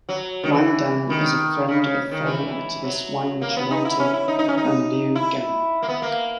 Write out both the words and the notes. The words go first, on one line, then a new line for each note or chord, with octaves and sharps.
Wang Dan is a friend of fellow activists Wang Juntao and Liu Gang.
F#3
D#3
E3
D#3
C#3
C#3
D#3
E3
F#3
A#3
B3
D#4
E4
C#4
E4
D#4
D#4
C#4
D#4
E4
A#3
B3
A#3